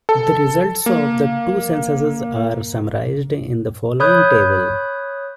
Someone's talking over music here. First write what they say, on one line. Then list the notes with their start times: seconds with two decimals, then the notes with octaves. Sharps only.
The results of the two censuses are summarized in the following table.
0.09 A4
0.86 A#3
4.00 C#5 B5 D#6 F#6 G6